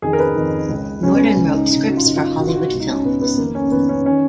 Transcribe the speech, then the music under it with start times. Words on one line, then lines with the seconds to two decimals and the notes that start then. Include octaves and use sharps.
Norden wrote scripts for Hollywood films.
0.02 F2 D#3 G#4
0.13 A#4
0.19 B4
0.36 F2 D#3
0.69 C#2 C#3
1.03 C#2 C#3 C#4
1.15 B3
1.25 C#4
1.36 C#2 C#3 C#4
1.54 D#4
1.70 C#2 C#3 D#4
1.87 F#4
1.97 F4
2.04 F#2 C#3 D#4
2.16 F4
2.37 F#2 C#3 F#4
2.48 F4
2.56 F#4
2.59 F4
2.70 C#2 B2
2.80 D#4
2.88 C#4
3.05 C#2 B2 B3
3.22 B3
3.38 F2 D#3 A#3
3.55 C#4
3.72 F2 D#3 B3
3.89 C#4
4.06 D#3 C#4